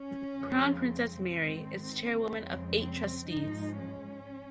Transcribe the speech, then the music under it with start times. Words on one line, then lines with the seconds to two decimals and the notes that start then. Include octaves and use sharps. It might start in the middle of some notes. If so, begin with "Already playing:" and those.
Crown Princess Mary is the chairwoman of eight trustees.
Already playing: C#4
0.34 F2 C#3 F3 G#3
0.83 C4
1.32 G#2 D#3 G#3
2.30 F2 C#3 F3 G#3
2.79 C4
3.28 G#2 F3 G#3 D#4
3.78 C#4